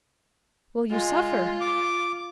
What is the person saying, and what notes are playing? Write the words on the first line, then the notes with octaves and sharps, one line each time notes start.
"Will you suffer?"
G#3 F4
D6